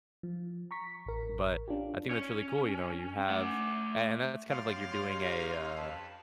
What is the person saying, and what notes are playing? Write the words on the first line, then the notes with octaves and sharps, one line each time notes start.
But I think that's really cool, you know, you have a and that's kind of like you're doing a, uh
F3
A#5 C#6 B6
A1 A#4
C#4 D4 F4 G4
C#4
A3 F#5
F#2 G4 C#5 F5 C6 A6
C#4 D#4 G4
F2 B4 A5